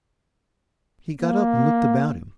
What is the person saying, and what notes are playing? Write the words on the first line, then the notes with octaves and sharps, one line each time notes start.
He got up and looked about him.
A#3